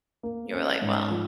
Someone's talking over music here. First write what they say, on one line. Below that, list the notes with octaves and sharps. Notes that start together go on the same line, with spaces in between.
we were like, "Well,
A#3
C#4
G#2
F3